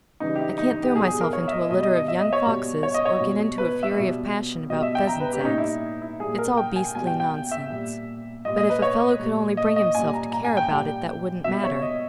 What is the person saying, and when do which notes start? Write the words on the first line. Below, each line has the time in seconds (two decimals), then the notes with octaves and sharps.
I can't throw myself into a litter of young foxes, or get into a fury of passion about pheasants' eggs. It's all beastly nonsense, but if a fellow could only bring himself to care about it that wouldn't matter.
0.20 C#3 E3 G3 D#4
0.35 G4
0.39 E4
0.58 D#4
0.71 D#4
0.83 G4
0.96 B2 G3 G#4
1.07 G#4
1.21 A#4
1.33 C#5
1.48 E5
1.52 D#5
1.70 B2 D#5
1.74 G3
1.83 D#5
1.96 D#5
2.08 E5
2.20 D#5
2.33 C#5
2.45 B2 G3
2.83 C#5
2.94 D#5
3.06 C#5
3.20 B2 G3
3.58 B4
3.83 E5
3.95 B2 G3
4.70 B2 G3 D#5
4.83 E5
4.95 G5
5.07 A#5
5.20 B4
5.33 G4
5.40 C#4
5.45 A#2 G3 D#4
5.58 E4
6.02 E4
6.20 A#2 G3 G#4
6.38 A#4
6.57 G5
6.76 G#5
6.95 B2 G3 G#5
7.07 G5
7.20 G5
7.51 E5
7.70 A#2 G3
8.45 A#2 G3 D#5
8.58 D#5
8.70 B4
8.82 C#5
9.19 A#2 G3
9.57 D#5
9.76 D#5
9.95 A#2 G3 G#5
10.13 A#5
10.32 A#5
10.45 G#5
10.57 G5
10.69 A#2 G3 G5
11.44 B2 G3 E5
11.64 C#5
11.82 D#5